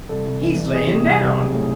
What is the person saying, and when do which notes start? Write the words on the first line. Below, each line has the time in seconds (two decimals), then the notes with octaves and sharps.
"He's layin' down!"
0.09 C2 A4
0.25 C2
0.41 E3
0.57 C2
0.73 C3 G#4
0.89 C3
1.05 C2
1.21 C3
1.37 B1
1.53 A2